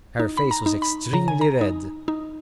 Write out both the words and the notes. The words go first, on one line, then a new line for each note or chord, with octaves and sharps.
Her face was extremely red.
D#4
B5
A#5
D#4
B5
C#3 A#5
G#5
A#5
D#4
D#4